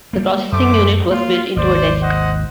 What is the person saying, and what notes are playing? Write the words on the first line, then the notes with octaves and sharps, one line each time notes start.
The processing unit was built into a desk.
G3 A3 A#3
F#2 A3 C5 D6
A#3 F4
G#1 D#2 D#3 C5 D5
C5 D#5 F#5